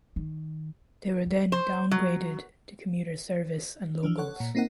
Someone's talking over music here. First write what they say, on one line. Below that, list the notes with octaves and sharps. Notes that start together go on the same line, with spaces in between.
They were then downgraded to commuter service and locals.
D#3
C5
F#3
E3 F3 D4
A4 C#5 F#5
A#2
A#3 C4 D#4 A#4 F#5